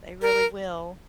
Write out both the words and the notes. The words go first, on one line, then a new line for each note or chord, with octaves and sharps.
They really will.
A#4